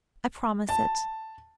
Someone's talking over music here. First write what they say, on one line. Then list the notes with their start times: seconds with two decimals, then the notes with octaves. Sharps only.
"I promise it."
0.69 A5